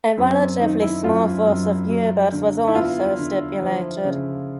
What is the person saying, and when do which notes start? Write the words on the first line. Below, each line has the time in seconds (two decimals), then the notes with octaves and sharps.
A relatively small force of U-boats was also stipulated.
0.18 F#2 C4
0.39 C4
0.60 D#3 D#4
0.82 E4
1.04 F#2 F4
1.47 F#2
1.90 F#3
2.32 D3
2.68 E4
2.75 B3 F4
3.19 D3
3.62 F3
4.05 C#3